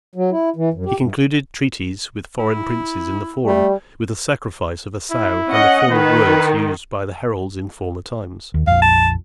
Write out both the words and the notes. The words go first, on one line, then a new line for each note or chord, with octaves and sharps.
He concluded treaties with foreign princes in the forum, with the sacrifice of a sow, and the form of words used by the heralds in former times.
F#3
E4
E3
F#2
G4
G2
E4
G3 A3
E4
C#4 D#5 F#5
D#3 B4
D#2
A#1 F2 F5
A5